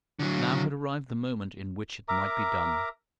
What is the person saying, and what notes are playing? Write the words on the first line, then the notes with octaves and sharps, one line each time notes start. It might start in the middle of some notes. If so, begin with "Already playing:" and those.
Now had arrived the moment in which it might be done.
D3 F#3
A#4 E5 A#5 D6